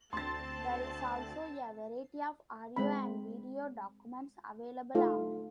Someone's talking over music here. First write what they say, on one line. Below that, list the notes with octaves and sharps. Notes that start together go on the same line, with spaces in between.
There is also a variety of audio and video documents available online.
D2 C4 A5 C6 A6
G#3 C4 B5
A3 D#4 F4 A4